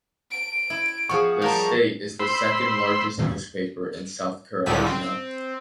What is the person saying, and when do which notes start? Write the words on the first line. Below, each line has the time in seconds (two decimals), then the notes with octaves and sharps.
"The State" is the second largest newspaper in South Carolina.
0.31 D7
0.70 E4
1.09 F3 B3 G#4 C#6
1.42 F3 G3 A#4 A5
2.20 C5 B5 C6 E6
4.66 C#2 A2 D3 F3 G3 B6
4.86 C4